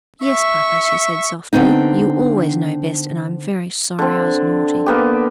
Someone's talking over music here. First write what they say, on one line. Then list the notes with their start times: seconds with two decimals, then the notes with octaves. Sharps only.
"Yes, papa," she said softly; "you always know best, and I am very sorry I was naughty."
0.24 E5 C#6
1.53 D3 B3 C4 D#4
3.99 D3 C4
4.86 A#3 B3 G4